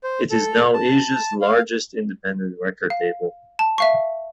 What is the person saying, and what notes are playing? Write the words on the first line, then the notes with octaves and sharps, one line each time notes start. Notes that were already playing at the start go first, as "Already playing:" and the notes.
It is now Asia's largest independent record label.
C5
A4
A5
A5
F5
F5
A5
E5 F5 C#6